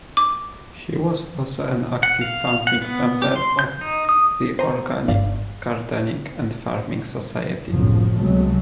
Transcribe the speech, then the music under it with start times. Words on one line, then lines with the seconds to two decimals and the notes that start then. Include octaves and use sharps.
He was also an active founding member of the Organic Gardening and Farming Society.
0.17 D6
2.03 F#5
2.21 F5
2.67 F#5
2.82 B3
3.22 G4
3.36 C6
3.59 G6
3.81 D#4
4.09 D#6
4.59 C5 G#5 A#5
5.08 G1 D5 F5
7.69 G1 C2 F#2 A2 C#3 F3
8.18 C#2 C3 F#3 G#3 A3 B3